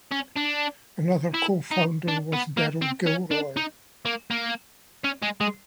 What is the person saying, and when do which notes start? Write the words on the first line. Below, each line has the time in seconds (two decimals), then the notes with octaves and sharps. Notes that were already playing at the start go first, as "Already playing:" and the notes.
Another cofounder was Beryl Gilroy.
0.11 C#4
0.36 D4
1.34 E4
1.71 D#4
2.08 D4
2.33 B3
2.57 A#3
2.82 C4
3.06 C#4
3.31 D4
3.57 D#4
4.06 A#3
4.31 A#3
5.04 C#4
5.22 G#3
5.41 G#3